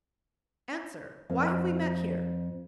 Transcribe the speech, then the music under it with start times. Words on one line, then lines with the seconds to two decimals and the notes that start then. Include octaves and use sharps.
Answer: why have we met here?
1.30 F2